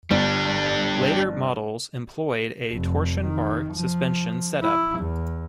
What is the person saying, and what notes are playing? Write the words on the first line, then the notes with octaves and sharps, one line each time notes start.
Later models employed a torsion bar suspension set up.
G1 G3 D4
F1
D#3
F3
E4
E2